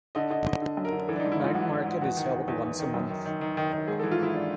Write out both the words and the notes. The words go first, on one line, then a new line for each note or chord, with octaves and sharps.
Night market is held once a month.
D3 D#5
D3 D#5
D3 D#5
D3
F#2
A#4
D3
E3 A4
D4
D#4
G#2
E4
G#2 F4
E3 F#4
G#2
G#2
E2 F#4
D#3
E2
E2
E2
D#3
F#2
D#3
D#3
D#3
D#3
D#3
G#2 G#4
A4
E3
F4
G#2 E4
D4